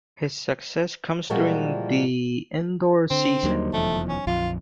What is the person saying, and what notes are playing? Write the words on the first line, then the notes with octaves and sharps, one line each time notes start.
His success comes during the indoor season.
A#2 E3 F3 G3 G#3 F#4
D3 C4
D#2 F#3 G3 A#3 D#4 C5
F1 E2 F3 A3
C#4
A#1 F2 F4